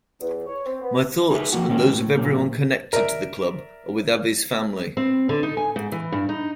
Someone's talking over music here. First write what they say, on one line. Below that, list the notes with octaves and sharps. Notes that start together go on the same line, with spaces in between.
My thoughts and those of everyone connected to the club are with Avi's family.
E2
C#5
C4
B3
D#4 G#4 A4 B4 E5
F3 A#3 F#4
D#3 G#3 A#3 C4 C#4
A2
A#2 F#3 A#3
A#4 D5 E5
C4
D3
D#4
G#5
G#2
E3
G2
D#4